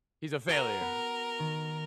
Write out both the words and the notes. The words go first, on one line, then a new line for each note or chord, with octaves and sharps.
He's a failure,
F#4 A#4
B3
D#3